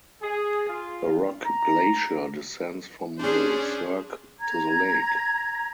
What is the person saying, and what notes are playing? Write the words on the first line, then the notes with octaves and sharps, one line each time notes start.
A rock glacier descends from the cirque to the lake.
G#4
F4
A#5
C#4 D4 G#4 C5
A#5 G#6